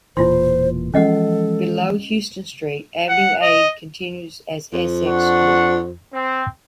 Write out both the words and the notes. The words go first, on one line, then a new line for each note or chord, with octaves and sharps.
Below Houston Street, Avenue A continues as Essex Street.
E1 A#2 E3 E4 F4 C5 C6
E3 F3 G#3 C#4 A4 D#5 F#5
F#5
D#5
F2
D4 F#5 C#6
C4